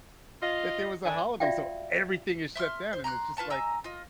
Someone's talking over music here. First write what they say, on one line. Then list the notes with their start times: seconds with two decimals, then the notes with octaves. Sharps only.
that there was a holiday, so everything is shut down, and it's just, like,
0.42 F4 D#5
1.05 D3 D4 G#5
1.40 F4 F#4 D5 E5 F5 G5
2.56 E5 C6 D#6 F6
2.93 C5
3.04 A#5 C6 C#6 F#6
3.37 F4 B4 A5 C#6
3.50 D#5 G#5 A#5 E6
3.84 F4 D#5